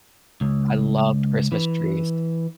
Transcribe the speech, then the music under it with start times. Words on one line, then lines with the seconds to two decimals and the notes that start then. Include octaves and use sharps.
I love Christmas trees.
0.41 C#2
1.52 E3